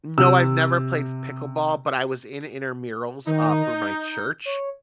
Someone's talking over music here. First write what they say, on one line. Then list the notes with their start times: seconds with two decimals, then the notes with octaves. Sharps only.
No, I've never played f pickleball, but I was in intermurals, uh, for my church,
0.18 C3 E6
3.27 D#3 D#4
3.73 G6
4.45 C#5